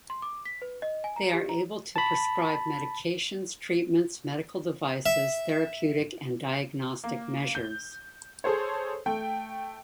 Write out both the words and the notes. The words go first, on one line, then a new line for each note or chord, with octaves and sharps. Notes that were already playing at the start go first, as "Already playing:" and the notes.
They are able to prescribe medications, treatments, medical devices, therapeutic and diagnostic measures.
C6
D6
B6
B4
D#5
G#5
A#5
G4
A#5
A5 B5
E5
A#3
G6
G#4 A4 C5 C#5
A3 G5